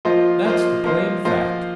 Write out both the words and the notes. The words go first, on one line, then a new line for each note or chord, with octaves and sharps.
That's the plain fact.
F3 A#3 F4 C5 D#5
F3 A#3 F4 C5 D#5
F3 A#3 F4 C5 D#5
F3 A#3 F4 C5 D#5